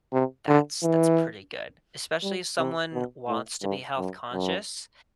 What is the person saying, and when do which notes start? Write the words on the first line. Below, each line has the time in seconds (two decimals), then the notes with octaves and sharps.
that's that's pretty good, especially if someone wants to be health-conscious.
0.13 C3
0.48 D3
0.83 E3
2.23 G3
2.58 C3
2.93 B2
3.28 A2
3.63 G2
3.98 F#2
4.33 F#2